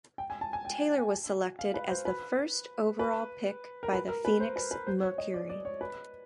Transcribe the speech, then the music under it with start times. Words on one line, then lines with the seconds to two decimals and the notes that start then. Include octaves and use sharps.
Taylor was selected as the first overall pick by the Phoenix Mercury.
0.18 G5
0.30 G#5
0.41 A5
0.53 G#5
0.65 G5
1.59 F5
1.74 B4
1.90 C5
2.05 B4
2.99 B4
3.83 A#4
3.93 B4
4.09 A#4
4.25 B4
4.40 C5
4.56 B4
4.71 B4
4.87 C5
5.03 C#5
5.18 D#5
5.34 D5
5.49 D5
5.65 C#5
5.81 B4